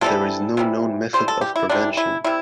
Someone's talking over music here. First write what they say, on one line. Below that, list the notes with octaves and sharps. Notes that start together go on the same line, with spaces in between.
There is no known method of prevention.
C3 E3 G3 A4
C3 E3 G3
C3 E3 G3 C5
A4
G4
E4
C3 E3 G3 D4
E4
C3 G3 E4